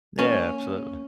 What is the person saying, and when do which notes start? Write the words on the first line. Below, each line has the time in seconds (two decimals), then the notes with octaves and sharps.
Yeah, absolutely.
0.19 A#3 C#4